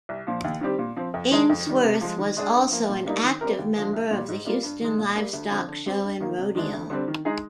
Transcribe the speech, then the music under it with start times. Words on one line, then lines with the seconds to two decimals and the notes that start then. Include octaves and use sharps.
Ainsworth was also an active member of the Houston Livestock Show and Rodeo.
0.09 C2
0.27 A#2 F3
0.44 D#2
0.61 D#3 G3 C4 G4
0.79 A#2
0.96 F3 C4
1.14 F2
1.31 D#3 G#3 D#4 G#4
1.49 F2
1.66 D#3 G3
1.84 C3
2.01 F3 G#3
2.19 D#3
2.37 G#3 D4 G#4
2.54 G2
2.70 F3 A#3
2.89 A#2
3.06 G3 A#3 D#4
3.24 D#3
3.41 G3 C4 G4 A#4
3.58 D#2
3.76 D3 F3 G#3
3.93 C2
4.11 A#2 G3
4.29 G#2
4.45 G3 A#3 F4 A#4
4.63 G2
4.81 D#3 G#3
4.98 A#2
5.15 G3 A#3
5.33 D2
5.50 D3 F3 C4
5.68 D3
5.86 G3 C4 G4
6.03 G2
6.20 D#3 A#3
6.38 C3
6.55 D#3 G#3 D4
6.73 D2
6.90 D3 G3 C4
7.08 D#3
7.25 G#3 D#4 G#4